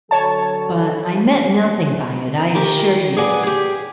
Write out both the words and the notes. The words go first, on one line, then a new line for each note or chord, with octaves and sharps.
But I meant nothing by it, I assure you.
D3 F#3 A4 C#5 A5
D#3 G4 A#4
G#4 B4 D5 F#5 G#5
G4 G#4